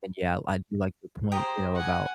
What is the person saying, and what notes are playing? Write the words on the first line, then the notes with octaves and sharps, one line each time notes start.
And yeah, I do like the point, you know, about,
G4 G#4 C5 D#5 A#5
F#5 G#5